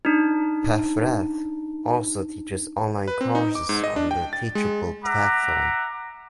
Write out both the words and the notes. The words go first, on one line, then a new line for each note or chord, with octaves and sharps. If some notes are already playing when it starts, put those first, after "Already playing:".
Paffrath also teaches online courses on the Teachable platform.
D4 D#4
B4
C4
D#4
D6
G#2
D#5
D4
G5
A6
G#3
E5 F#5 A#5 D6